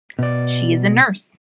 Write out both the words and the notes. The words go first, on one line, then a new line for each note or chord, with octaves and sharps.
She is a nurse.
B2 D5